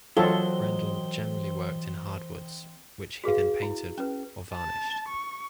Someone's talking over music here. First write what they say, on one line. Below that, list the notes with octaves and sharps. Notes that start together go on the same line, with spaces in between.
Brendel generally worked in hard woods which he then painted or varnished.
E3 F#3 C4 F4 A4 D#5 G7
F#4 G#4 B4 F5
E4
C#4 B4
A5
C#6